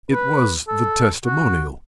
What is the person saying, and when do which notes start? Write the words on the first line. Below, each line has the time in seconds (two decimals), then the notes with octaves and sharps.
It was the testimonial.
0.11 B4
0.68 A4
1.25 F#4